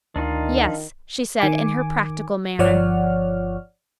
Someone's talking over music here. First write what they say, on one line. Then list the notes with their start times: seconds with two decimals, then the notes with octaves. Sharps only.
"Yes," she said, in her practical manner.
0.16 D2 D#3 D4 D#4 F4
1.40 D#3 G#5 D6
2.59 G1 F3 C#5 D5 F#5 F6